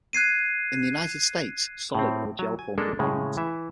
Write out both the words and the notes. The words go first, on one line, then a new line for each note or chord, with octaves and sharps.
In the United States, solid or gel forms are dominant.
F#6 G#6 C7 D#7
A2 C4
F#3
G#5
G#3 A#3 D4 A4 A#4
A2 C#3 G#3
E3 E5